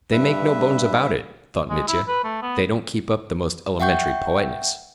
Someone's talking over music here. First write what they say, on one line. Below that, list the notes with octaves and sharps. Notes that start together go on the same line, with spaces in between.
"They make no bones about it," thought Mitya, "they don't keep up the most elementary politeness."
G2 B4 E5
G#3
E4
B4
A3
B3
E5 F#5 G5 C#6 G6